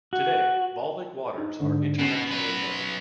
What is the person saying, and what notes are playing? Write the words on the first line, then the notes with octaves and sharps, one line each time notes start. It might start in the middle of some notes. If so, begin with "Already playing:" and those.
Today, Volvic waters are internationally known.
F#4
D#4
G#2 D3
B2 C#4 C7
F#3 B4